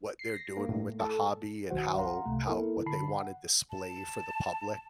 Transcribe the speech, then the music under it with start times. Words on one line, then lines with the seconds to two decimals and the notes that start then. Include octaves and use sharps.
what they're doing with the hobby and how how what they wanna display for the public,
0.19 C7
0.34 A#6
0.57 A#3
0.69 A2
1.00 A4
1.70 B1 D#3 F#3 F#4 C5 F#5
1.97 F5 F#5 A#5 C6
2.26 C2 C3 A3
2.47 A#3 B3 E4 A4 A#4
2.86 D3 A5 B5 C7
3.13 F#5
3.70 A5